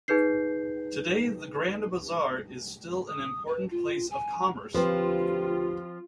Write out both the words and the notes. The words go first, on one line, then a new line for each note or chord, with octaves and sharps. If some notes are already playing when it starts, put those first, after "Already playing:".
Today, the Grand Bazaar is still an important place of commerce.
D#4 G#4 B4 G6 C7
D#6
B4
F4
G#5
D2 F3 C4 F4 G4 B4